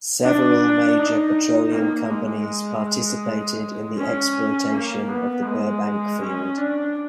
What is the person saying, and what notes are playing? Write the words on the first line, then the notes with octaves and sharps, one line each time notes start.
Several major petroleum companies participated in the exploitation of the Burbank Field.
D4
D#4
A#3
G#3
C#4
A#3
B3
G#3
C#4
D4